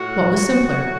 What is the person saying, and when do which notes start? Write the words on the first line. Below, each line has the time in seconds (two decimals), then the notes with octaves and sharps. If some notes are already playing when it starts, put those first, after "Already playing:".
What was simpler?
Already playing: A2 F#4
0.14 F#3
0.36 F#3
0.61 F#3
0.83 A2